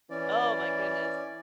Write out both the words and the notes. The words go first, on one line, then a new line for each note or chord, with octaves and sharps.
Oh my goodness
E3 C#4 D5